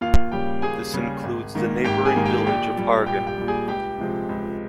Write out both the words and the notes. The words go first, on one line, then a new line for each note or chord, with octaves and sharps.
This includes the neighbouring village of Hargen.
D#2 F4 F5
C#3 G3 G4 G5
D#2 G#4 G#5
C#3 G3
G#1
G#2 D#3 A#3
G#1 G4 G5
G#4 G#5
G#2 D#3 A#3
G4 G5
A#1 G4 G5
A#2 G3
A#1 G4 G5
G4 G5
A#2 G3
G#4 G#5
C#2 G4 G5
C3 F3 G#3 C4
C#2